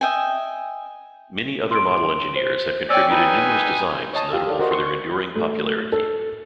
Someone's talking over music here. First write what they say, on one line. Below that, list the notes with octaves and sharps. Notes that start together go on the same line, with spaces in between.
Many other model engineers have contributed numerous designs notable for their enduring popularity.
D#5 E5 G5 G#5
C6 D7
C5
C#5 D5 G5 G#5 E6
D#4 B4 G#5
C#5 D#5 A5 D#6
F4 G4 F5 E6
A4 D5
F#4 A#4 C5 D#5
C6 C#6
C#6
A3
A4